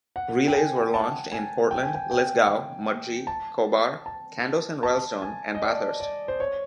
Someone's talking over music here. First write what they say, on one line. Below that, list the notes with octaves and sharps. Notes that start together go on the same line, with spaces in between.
Relays were launched in Portland, Lithgow, Mudgee, Cobar, Kandos and Rylstone and Bathurst.
F#5
G5
G#5
A5
G#5
G5
G#5
G5
G5
A5
A5
A5
G#5
D#5
D5
D5
C5
C#5